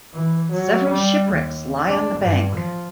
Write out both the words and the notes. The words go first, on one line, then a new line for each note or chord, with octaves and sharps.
Several shipwrecks lie on the bank.
E3
F#3
G3
D#2
D4
G2
F3